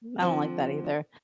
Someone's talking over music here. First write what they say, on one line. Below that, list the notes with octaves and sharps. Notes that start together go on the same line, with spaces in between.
I don't like that either.
D3 F3 C4